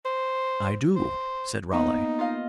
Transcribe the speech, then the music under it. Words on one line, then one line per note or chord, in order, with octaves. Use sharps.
"I do," said Raleigh.
C5
C5
A#3 B3 D#4
F4 D#5 F5